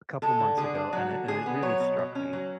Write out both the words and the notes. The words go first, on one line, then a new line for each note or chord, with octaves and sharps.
a couple months ago, and it and it really struck me.
G#3 A4
D3
D3 G#4
D4
F#3 F#4
D3
D3 G#4
B3
F#3 C#5
B2
B2
C#4
F#3